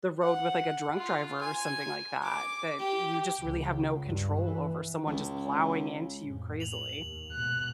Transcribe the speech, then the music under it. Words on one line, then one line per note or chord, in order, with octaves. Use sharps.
the road with, like, a drunk driver or something like that, that you just really have no control over someone just plowing into you crazily.
F#5
F4
G#5
D6
G4
C#2
G2
E3
C#2
F2 A2
F7 F#7
D#2
G#2 B2 F#6